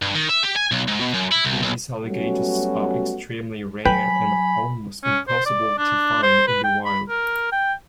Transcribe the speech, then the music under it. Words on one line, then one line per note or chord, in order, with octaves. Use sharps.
These alligators are extremely rare and almost impossible to find in the wild.
G2
D#3
E5
G4
G#5
B1
G#2
B2
F#2
E4
C2
B1
F#3 G3 A3 B3 C#4 F#4
F#3 B4 G5 G#5 B5
C#4
C5
D5
D4
C5
B4
G5
B5
A#4
G5